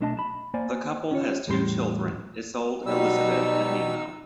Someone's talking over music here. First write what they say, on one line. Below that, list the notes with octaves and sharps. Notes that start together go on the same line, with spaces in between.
The couple has two children, Isolde Elisabeth and Nemo.
B1 A3 D4 D#5 F#5 A5
A5 B5
A#3 C5 D5 G#5
C#4 F4 C#5
E2 A2 G3 G4 A4 C6
B2 F#3 G3 D#4 E6